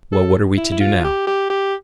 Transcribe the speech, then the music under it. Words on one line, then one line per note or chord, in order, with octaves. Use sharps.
Well, what are we to do now?
A4
E4
E4
F4
G4
G4
G4